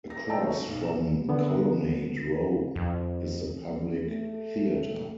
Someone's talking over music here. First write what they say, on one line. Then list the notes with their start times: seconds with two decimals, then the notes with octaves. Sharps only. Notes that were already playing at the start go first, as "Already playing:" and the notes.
Across from Colonnade Row is The Public Theater.
0.10 A#6
0.28 D5 D#5 G5 A5 E6
0.40 F#3 G#3 A3 C#4 D#4 F#4
0.68 B1
0.83 E7
1.29 D3 B3
2.76 F2
4.06 A3